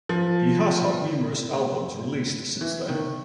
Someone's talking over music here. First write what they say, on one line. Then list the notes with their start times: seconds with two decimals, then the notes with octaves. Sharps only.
He Has had numerous albums released, since then.
0.09 F3
2.61 E3
2.89 D#3